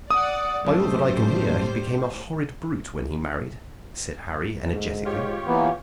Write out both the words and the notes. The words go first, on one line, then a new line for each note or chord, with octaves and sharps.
"By all that I can hear, he became a horrid brute when he married," said Harry, energetically.
D5 F#5 D#6
B1 F#2 A2 G3 A3 C5
D2 G#2
F4 G4 C#5
E3 A#3 B3